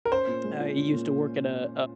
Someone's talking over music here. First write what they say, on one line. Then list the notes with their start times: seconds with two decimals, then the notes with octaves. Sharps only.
I used to work at a
0.05 A#4
0.11 C#4 C5
0.27 A#2
0.44 G#3
0.59 F4
0.77 C#4
0.93 A#2